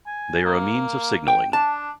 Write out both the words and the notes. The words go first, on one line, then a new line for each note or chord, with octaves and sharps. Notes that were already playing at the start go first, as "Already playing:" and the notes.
They are a means of signaling.
G#5
A#3
G5
D4 A5